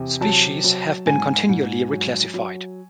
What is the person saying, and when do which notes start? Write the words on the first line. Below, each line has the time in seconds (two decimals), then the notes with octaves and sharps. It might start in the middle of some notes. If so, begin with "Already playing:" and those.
Species have been continually reclassified.
Already playing: E2 C3
0.21 F#3 A5
0.64 F#3
1.06 G#2 G#5
1.49 G#2
1.92 F#3
2.34 F#3